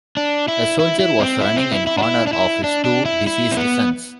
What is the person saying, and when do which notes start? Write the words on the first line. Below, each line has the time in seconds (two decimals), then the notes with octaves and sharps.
A soldier was running in honor of his two deceased sons.
0.17 D4
0.48 E4
0.79 E4
0.99 E4
1.20 C4
1.41 E4
1.57 C4
1.72 E4
1.87 E4
1.98 D4
2.03 E4
2.27 D4
2.33 E4
2.64 D4
2.84 D4
3.05 E4
3.27 E4
3.51 C4
3.57 B3